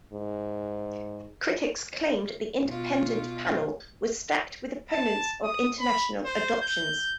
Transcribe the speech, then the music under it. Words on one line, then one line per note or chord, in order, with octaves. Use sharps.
Critics claimed the Independent Panel was stacked with opponents of international adoptions.
G#2
B2 F4
A5
D#6
B5
C5
G6